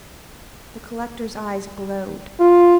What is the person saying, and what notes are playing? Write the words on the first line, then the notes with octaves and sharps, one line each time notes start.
The collector's eyes glowed.
F4